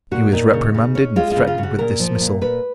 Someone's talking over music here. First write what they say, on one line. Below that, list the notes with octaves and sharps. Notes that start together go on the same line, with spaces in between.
He was reprimanded, and threatened with dismissal.
A#2 F#4
A#2 D#4
C#3
C#3
C#4
G#3 F4
F4
C#3
F4
C#3
F#4
A#2 A#4
F3
A#2
A#2 B4